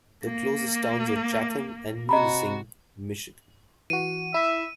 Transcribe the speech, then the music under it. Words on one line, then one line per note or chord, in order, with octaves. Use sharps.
The closest towns are Chatham and Munising, Michigan.
A#3
C3 F#4 D#5 A#5 B5
E3 F#4 D#7
E4 E5